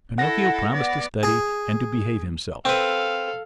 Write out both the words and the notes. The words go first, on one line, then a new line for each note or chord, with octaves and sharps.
Pinocchio promised to study and to behave himself.
E4 A4 F#5 A#6
B3 D5
G#4
C4 A4 B4 F5